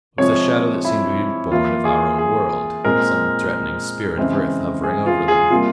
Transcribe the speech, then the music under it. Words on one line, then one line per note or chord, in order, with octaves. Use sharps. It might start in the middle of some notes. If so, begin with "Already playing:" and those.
It was a shadow that seemed to be born of our own world--some threatening spirit of earth hovering over them.
C3 F3 G#3 C4 C#5
E4
E3 A#3 F4
G#4
G#4
A#2 G#3 C4 A#4
C#3 E3 G#3 C4
G#4
F4
G#4
C3 G3 A#3 F4